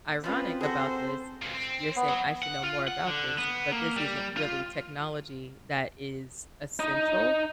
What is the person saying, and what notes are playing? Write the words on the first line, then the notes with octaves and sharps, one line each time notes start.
ironic about this is you're saying I should know more about this, but this isn't really technology that is essential,
F3 C4 C#4 F4 B4
F#4 G#4 A4 C5
C#2 A#2
C4
B3
F#3
F#5
F4
F#5
D3
B3
A#3
G3
F4
D#4 D#5